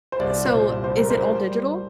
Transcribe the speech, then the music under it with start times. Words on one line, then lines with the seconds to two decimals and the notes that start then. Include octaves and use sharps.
Eh, so, is it all digital?
0.12 C5
0.19 C2 D5
0.45 A#2 C5
0.72 C2
0.84 C5
0.97 G3 A#4
1.10 C5
1.23 G3
1.49 G3